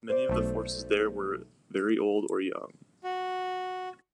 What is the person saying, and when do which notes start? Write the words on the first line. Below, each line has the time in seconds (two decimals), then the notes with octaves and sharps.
Many of the forces there were very old or young.
0.10 C5 D5
0.29 B1 A3
3.04 F#4